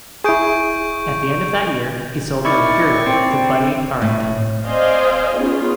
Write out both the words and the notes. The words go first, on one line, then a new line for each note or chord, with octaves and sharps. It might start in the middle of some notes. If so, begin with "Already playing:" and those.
At the end of that year he sold the Imperial to Buddy Arrington.
E4 G#4 C#6 G6 D7
D#3 E4 D5 C#6
C4
A2
C4 C5 D5 D#5 F5 G#5
B3 C#4 D#4 F4 G#4